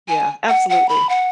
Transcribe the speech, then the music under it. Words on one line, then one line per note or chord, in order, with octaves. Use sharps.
Yeah, absolutely.
G#5
F#5
F#5
B5
F#5